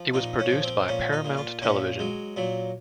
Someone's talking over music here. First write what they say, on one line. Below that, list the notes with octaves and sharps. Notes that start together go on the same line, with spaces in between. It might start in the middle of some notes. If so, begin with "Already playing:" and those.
It was produced by Paramount Television.
Already playing: F3
A#2 D#4
C#4
F3
C4
A#2 C#4
D#4
A#2
F4
A#2 C#4
F#3 G#3
A#2 F#3